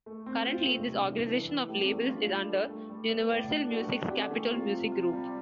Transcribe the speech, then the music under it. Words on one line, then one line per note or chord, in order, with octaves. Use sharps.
Currently, this organization of labels is under Universal Music's Capitol Music Group.
A3
C4
F4
A3
G2 C3
E3
E3
B3
A2 G4
C3
E2 A3
F2
G2 F4
G3
A4
A3
G3
B3
A2 D5
D4
B2 A3
G2
A2 D4
B2
C3 G4
D3
E3 A3
C3 F4
F3
F4
G3